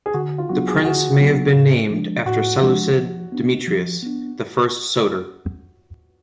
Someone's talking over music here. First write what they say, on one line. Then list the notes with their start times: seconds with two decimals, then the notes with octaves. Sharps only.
The prince may have been named after the Seleucid Demetrius the First Soter.
0.06 G#4
0.14 D3 F#4
0.38 F4
0.49 F#3 B3 D4 F#4
0.67 G#4
0.85 D3 F#4
1.20 F#3 B3 D4
1.55 A2
1.91 F3 G#3 D4
2.26 A2 F#4
2.61 F3 G#3 D4
2.97 F3
3.32 B3 D4
3.67 F3
4.02 B3 D4